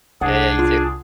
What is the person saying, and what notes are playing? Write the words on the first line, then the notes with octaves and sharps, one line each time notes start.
Yeah, yeah, you too.
C2 D4 G#4 F#5
F4